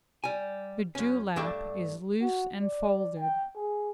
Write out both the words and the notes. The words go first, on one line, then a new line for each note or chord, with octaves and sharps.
The dewlap is loose and folded.
G3 G#5
F#2 C#4
G2 G3 A3 D4 D5 E5
F#4
D5
G5
G#4